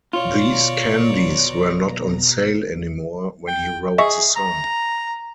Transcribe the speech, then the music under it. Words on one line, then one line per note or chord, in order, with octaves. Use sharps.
These candies were not on sale anymore when he wrote the song.
B2 F4 C#5 D5 A#5
G5
G#4 D#5 E5 C#6
A#5